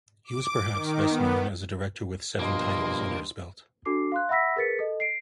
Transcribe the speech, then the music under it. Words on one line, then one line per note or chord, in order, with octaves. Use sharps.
He was perhaps best known as a director with seven titles under his belt.
D6
D#3
B3
G2 B2 F3 A#3 D#5 C6
D4 F#4 A4 D6 C7
F5 C6 F#6
E5 F#5 B5 E6 A#6 B6
G#4 A#4 B4 A6 B6 C#7
A4 D#5
C7 D7